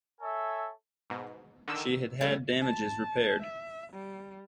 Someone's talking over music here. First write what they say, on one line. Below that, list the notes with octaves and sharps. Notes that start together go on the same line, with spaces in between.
She had had damages repaired.
A4 C#5 E5 G#5
G#2 B2
D3 D#3 E6
G3 A3
A5
E5
G3